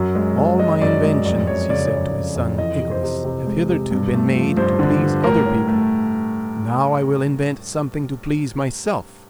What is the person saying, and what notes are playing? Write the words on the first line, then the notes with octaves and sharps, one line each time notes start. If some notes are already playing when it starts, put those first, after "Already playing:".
"All my inventions," he said to his son Icarus, "have hitherto been made to please other people; now I will invent something to please myself."
Already playing: F#2 F#3
G#3
G#3
G#3 D#5
F#2 D5
G#3 D5
F2 D5
F2 C#5
C#3 D5
C#5
F2
D5
F2
F2
E3 D#5
C3
C5
C3
C3
G#3
C3
G2
A3
F3
G2 C5
D3
G2
A2 A#4
A2
A3